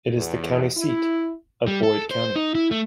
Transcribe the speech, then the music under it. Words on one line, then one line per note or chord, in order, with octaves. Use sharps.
It is the county seat of Boyd County.
E2
E4
G3
A4
C5
D#4
E4
A3